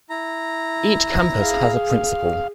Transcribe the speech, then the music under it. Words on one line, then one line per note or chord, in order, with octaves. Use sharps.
Each campus has a Principal.
E4 A#5
G#4 F5